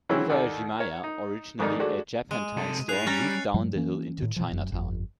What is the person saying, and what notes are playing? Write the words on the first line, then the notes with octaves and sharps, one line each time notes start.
Uwajimaya, originally a Japantown store, moved down the hill into Chinatown.
E3 F#3 G#3 C4 C#4 E4
D#2 D#3 D#4 A4 D5 F#5
A#4 C#5
D#4
F2 G#2 D#3 A3 D4 D#4
G#3 A3 D4 F#4
G#3 D#7
C3 A4
D#4 G#4 F#6 C7 F7
G3 C#4 A#5 A6 C#7
G2 F3 G3 A3
E3 A#3 C#4
A2 D#3
A#2 E3 F3
F1 F#2
G1 F2